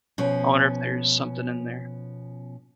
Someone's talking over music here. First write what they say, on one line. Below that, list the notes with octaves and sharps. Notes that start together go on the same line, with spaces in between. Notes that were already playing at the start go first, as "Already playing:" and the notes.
I wonder if there's something in there.
B2 F3 C#4